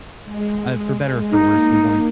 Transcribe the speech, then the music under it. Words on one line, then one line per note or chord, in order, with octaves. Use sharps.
uh, for better or for worse, we weren't,
G#3
A#3 D#4